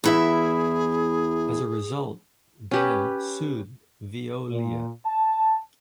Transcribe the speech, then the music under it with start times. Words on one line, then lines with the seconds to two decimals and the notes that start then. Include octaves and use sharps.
As a result, Dan sued Veolia.
0.04 E2 E4 G#4 E5
2.71 C#4 G4 B4
4.51 A#2
5.06 A5